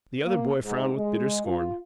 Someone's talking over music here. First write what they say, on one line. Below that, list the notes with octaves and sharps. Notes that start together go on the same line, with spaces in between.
The other boy frowned with bitter scorn.
A#3
G#2
G#3
F4